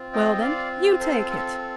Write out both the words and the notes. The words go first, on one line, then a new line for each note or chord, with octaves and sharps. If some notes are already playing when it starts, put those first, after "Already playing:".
"Well, then, you take it."
Already playing: C4 F4
D#5 G5
D5 F5
A4 C5
A4
A4